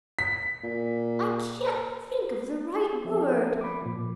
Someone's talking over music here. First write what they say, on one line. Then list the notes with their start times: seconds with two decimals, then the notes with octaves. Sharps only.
I can't think of the right word.
0.19 B6
0.64 A#2
3.05 F3 C4 A4 E5
3.61 B5 D6
3.82 A#2 F3